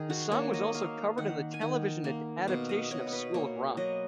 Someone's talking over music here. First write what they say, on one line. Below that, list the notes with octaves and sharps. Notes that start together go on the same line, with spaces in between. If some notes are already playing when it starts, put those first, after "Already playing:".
The song was also covered in the television adaptation of School of Rock.
Already playing: D#3 G#4
F#4
A#3 C#5
D#5
A#3 F5
D#3 F#5
G#5
D#3 F#5
A#3
B2 F5
D#5
B2 C#5
B4
A#3 C#5
F#3 D#5